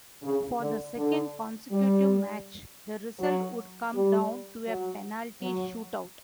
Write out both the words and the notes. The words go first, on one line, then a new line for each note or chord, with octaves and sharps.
For the second consecutive match, the result would come down to a penalty shootout.
C#3
D3
D3
G3
F#3
G3
F#3
F#3